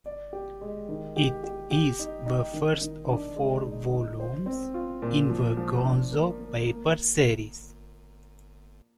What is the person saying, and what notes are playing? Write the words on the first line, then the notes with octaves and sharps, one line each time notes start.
It is the first of four volumes in "The Gonzo Papers" series.
D5
G4
G#3
D#3
G4
G4
G4
D#4
D#4
D#3
D#3
D4
G#3
D#4
D#4
C5
C4
F4
A#2
F3
F3
D4
A#3
A#3
A#3